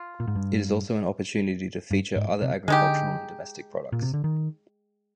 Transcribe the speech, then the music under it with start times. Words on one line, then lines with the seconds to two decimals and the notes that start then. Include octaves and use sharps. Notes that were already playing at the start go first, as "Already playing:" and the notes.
It is also an opportunity to feature other agricultural and domestic products.
Already playing: F4
0.20 A#2
0.27 G#2
0.35 G2
1.91 G2
2.16 G#2
2.42 C3
2.68 D3 G#3 D#4 G4
3.92 A#2
4.02 C3
4.14 D3
4.24 D#3